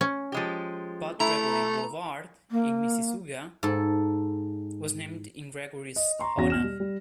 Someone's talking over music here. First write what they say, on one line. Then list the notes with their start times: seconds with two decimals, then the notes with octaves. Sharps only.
Bud Gregory Boulevard, in Mississauga, was named in Gregory's honour.
0.01 C#4
0.32 F3 G#3 G4
1.20 A3 E4 A#5
2.51 A#3
3.63 G#2 A4
5.96 D#5
6.20 A#5 C6 C#6
6.37 E2 C#4 F#4 A#6
6.50 B2 F6 E7
6.64 G3
6.80 G3